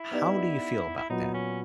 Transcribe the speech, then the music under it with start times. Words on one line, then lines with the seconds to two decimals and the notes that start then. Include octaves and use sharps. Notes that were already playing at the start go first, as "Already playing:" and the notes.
how do you feel about that?
Already playing: E4
0.11 B3 D#4 G4 B4 D5
0.98 E4
1.09 A#2 F#3 B3 D#4
1.34 C#4